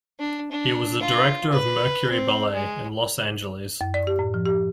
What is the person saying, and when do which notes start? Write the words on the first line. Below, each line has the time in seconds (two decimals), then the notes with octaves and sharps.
He was the director of Mercury Ballet, in Los Angeles.
0.19 D4
0.51 D4
1.00 F4
1.52 B4
2.10 C4
2.54 G#3
3.81 F#2
3.94 D5
4.07 G4
4.19 A2
4.34 F3
4.45 G4